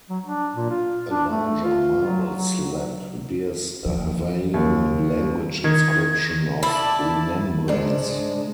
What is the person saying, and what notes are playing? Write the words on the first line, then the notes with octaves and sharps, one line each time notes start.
A larger marble slab bears a Hawaiian language inscription of remembrance.
F#3
D4
A#2
F4
D4
A3
F4
F#3
F#3
E2 F3
D#2
D#3 G#6
E4 D5 A5
G#2 G#3 D4